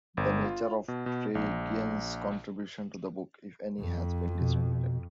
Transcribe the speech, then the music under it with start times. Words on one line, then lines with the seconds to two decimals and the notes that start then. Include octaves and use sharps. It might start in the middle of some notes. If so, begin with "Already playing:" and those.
The nature of Tregian's contribution to the book, if any, has been disputed.
0.17 G1
0.44 F4
0.88 B2
1.06 B2
1.35 A#1
3.80 F2
4.40 B2